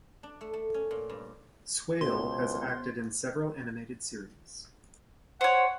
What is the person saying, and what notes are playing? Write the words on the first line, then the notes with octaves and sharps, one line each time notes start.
Swaile has acted in several animated series.
D4
A3
A3
C#4
A#2
G2
C#2 B2 C5 C6
C5 C#5 F#5